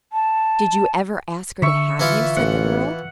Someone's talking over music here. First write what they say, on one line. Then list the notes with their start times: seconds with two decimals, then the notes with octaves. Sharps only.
"Did you ever ask her to have you?" said the earl.
0.13 A5
1.62 D3 E5 C#6
2.00 E3 E4 F4
2.37 A1 F#5